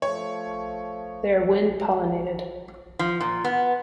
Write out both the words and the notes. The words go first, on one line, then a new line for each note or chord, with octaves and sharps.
They are wind-pollinated.
F3 A3 C#5
F3
A#2
B3